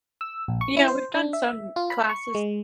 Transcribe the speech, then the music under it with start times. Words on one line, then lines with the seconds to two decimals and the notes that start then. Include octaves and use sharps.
Yeah, we've done some classes
0.21 E6
0.48 A#1
0.61 C#6
0.77 E4
0.88 C5
1.14 D4
1.33 E5
1.76 F4
1.90 B5
2.09 C#6
2.35 G#3